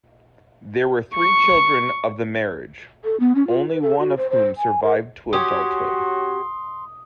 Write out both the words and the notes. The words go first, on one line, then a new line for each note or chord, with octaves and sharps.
There were three children of the marriage, only one of whom survived to adulthood.
C#6
A4
B3
C#4
F4
B4
A4
F#4
C5
C5
G#5
A#4
C#4 F#4 G4 C6 D#6